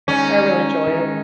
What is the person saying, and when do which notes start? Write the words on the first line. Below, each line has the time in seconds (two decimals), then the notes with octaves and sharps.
I really enjoy it.
0.08 D#3 G#3 C#4 D#4
0.87 D#3 G#3 D#4